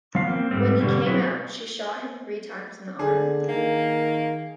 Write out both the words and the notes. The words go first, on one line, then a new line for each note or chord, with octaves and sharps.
When he came out, she shot him three times in the arm.
F3 B3 F5
A#3 C4
G#2 G3 A3 C4
B2 D3 G3 A#3 G4
F#3 C4 E4 F#4 G#4
D3 G#4
D#3 A#3